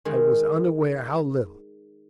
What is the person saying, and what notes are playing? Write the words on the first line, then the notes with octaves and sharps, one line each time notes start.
I was unaware how little.
D#3 G#3